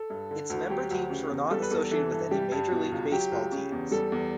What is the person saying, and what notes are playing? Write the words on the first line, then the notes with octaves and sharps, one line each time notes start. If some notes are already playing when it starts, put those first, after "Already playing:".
Its member teams were not associated with any Major League Baseball teams.
Already playing: A4
G2
D3
D2
F#3 G4
D2
C#3
E2
G3 A4
B4
E2 A4
E3 A4
G2
G3 G4
G2
B2
C#2
F#3 G4
C#2
C#3
E2
G3 A4
E2